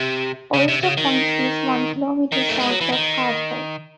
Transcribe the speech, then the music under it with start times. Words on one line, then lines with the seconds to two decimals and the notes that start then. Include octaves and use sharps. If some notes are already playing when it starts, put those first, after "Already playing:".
Oyster Point is one kilometre south of Cardwell.
Already playing: C3
0.54 C#3
0.68 C3
0.83 C#3
0.97 D#3
2.32 D#3
2.49 A3
2.59 G#3
2.70 F#3
2.81 E3
2.92 D#3